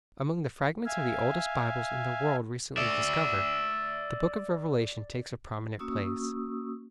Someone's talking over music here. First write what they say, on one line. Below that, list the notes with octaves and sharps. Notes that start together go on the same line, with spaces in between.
Among the fragments of the oldest Bibles in the world recently discovered, the Book of Revelation takes a prominent place.
E5 F5 G#5
D5 E5
A#3 C#4 F#4 C#6 D#6 E6